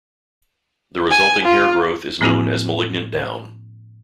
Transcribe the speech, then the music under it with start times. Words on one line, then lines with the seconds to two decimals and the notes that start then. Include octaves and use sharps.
The resulting hair growth is known as malignant down.
1.10 G#5
1.45 F4
2.21 A2 F3 A#3 C4 E4 F#4